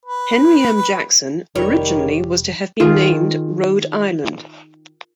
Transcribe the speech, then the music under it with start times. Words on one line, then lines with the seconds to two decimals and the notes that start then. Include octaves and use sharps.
"Henry M. Jackson" originally was to have been named "Rhode Island".
0.05 B4
1.55 F1 D#3 G3 C#5
2.80 D#3 F4 G#4